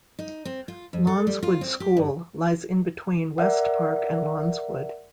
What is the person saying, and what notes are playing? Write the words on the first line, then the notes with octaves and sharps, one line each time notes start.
Lawnswood School lies in between West Park and Lawnswood.
D#4
C4
F4
F2
A4
G3
F4
C4
G4
G2
A#4 D5 E5 F#5